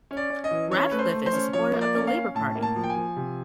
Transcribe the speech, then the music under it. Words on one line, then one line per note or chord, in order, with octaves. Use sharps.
Radcliffe is a supporter of the Labour Party.
C#4
D5
C#4
D#5
E3
C#4 C#5
A3 B4
C5
A3
C5
C#4
F3 C#5
A#3
D5
C#4
F5
C#4
A2 A5
A#3
A5
F3
G5
G#5
F3
C3